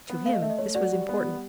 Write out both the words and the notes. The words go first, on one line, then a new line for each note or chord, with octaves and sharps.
To him this was important.
B3
A3 F5
D#5
A3 E5
D#5
A3 C#5
F#4 D5
G3
B3
G3